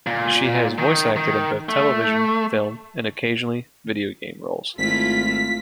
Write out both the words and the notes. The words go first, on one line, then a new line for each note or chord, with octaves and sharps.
She has voice acted in both television, film and occasionally video game roles.
A#2
D#3
D#3
A3
G#1 A3 E4 F4 B6